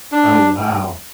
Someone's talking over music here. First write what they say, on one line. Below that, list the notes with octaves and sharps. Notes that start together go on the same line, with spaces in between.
Oh, wow.
D4